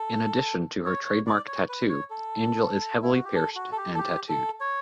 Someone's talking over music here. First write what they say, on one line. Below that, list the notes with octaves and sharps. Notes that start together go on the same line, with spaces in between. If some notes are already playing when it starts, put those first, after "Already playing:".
In addition to her trademark tattoo, Angel is heavily pierced and tattooed.
Already playing: A4
C#5
C#5
D5
C#5
B4
C#5
A4
E4
F#4
G4
A4
F#4
A4
G4
A4
G4
A4
C#5